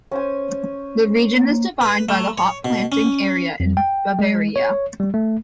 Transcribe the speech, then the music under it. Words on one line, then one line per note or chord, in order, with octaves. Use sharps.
The region is defined by the hop-planting area in Bavaria.
C#4 C5 G#5
A#3
B4
A3
C#5
B2
C#4
F2
G5
G#3
C#5
G3
A3